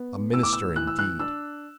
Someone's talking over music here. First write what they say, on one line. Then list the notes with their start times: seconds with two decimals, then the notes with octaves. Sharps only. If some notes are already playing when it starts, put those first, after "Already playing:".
"A minister indeed!"
Already playing: B3
0.33 A2 E6
0.43 D6
0.53 E6
0.76 E3 F#6
0.87 E6
0.99 F#6
1.20 D4 E6